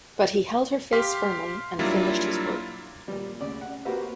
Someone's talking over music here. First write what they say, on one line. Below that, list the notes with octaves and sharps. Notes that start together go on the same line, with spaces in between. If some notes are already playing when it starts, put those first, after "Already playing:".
But he held her face firmly and finished his work.
G4 F5 C6 B6
F#3 G3 A#3 D4 E4 F4
A#2 G3
D2 C#3 D5
F#5
A#3 C4 F#4 G4 B4 C5